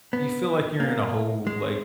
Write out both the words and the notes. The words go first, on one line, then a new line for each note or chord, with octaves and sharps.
You feel like you're in a whole, like,
B3
A#3
G#3